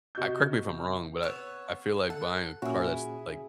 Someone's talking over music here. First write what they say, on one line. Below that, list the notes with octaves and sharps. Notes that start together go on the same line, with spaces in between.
I correct me if I'm wrong, but I I feel like buying a car that's, like
C3 F#4 D#5 G6
B3 C#5 E6
A4 F#5
A#2 C#4 E4 F#4 G#4